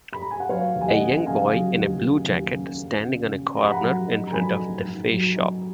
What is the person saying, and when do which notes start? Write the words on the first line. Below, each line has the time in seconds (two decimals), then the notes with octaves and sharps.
A young boy in a blue jacket standing on a corner in front of THEFACESHOP.
0.13 B5
0.22 A#5
0.31 G#5
0.40 F#5
0.49 F#3 C#5 F5
0.76 D#2
0.81 G#5
0.88 D#5 F#5
1.01 C#4
1.26 C#3 F5 G#5
1.53 F#3
1.77 D#2
2.04 C#3
2.29 D#2
2.54 C#4
2.79 C#4
3.06 C#3
3.31 C#4
3.56 G#2 A#5
3.64 B5
3.71 F#5 A#5
3.82 F#3
4.07 D#4
4.27 A#5
4.32 F#3 G#5 B5
4.58 D#4
4.84 G#2
5.09 F#3
5.35 D#4